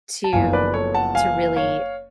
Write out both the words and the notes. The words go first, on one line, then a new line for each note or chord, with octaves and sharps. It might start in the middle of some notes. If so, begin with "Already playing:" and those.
to to really
A5
F#1 F#2 F3 B3 F5 G#5
B4 D5
A4 C#5
F#5 A5
F5 G#5
C#5 F5